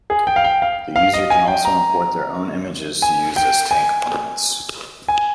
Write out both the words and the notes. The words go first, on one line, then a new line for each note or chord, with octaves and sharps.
The user can also import their own images to use as tank ornaments.
G#4
G5
F5
G5
F5
F5
D#5
G#5
G5
A#5
G#5
G5
G#5
G#5